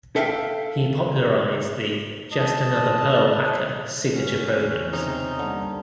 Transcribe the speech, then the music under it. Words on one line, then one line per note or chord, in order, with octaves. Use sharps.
He popularized the Just another Perl hacker signature programs.
A4 E5 F5 G5
D#5 A5
C#4 F#5 A#5
E2 C#3
C3 D#4
B2 D3 G3 A#3